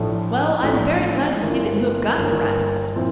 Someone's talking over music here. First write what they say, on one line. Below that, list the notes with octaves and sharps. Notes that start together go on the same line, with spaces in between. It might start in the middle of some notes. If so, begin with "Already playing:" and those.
Well, I'm very glad to see that you have got the rascal.
Already playing: A1 A2 F3 A3 D4
A1 A2 F3 A3 D4
G1 G2 E3 A#3 F4
G1 G2 E3 A#3 F4
A#2 F3 C4 E4 A#4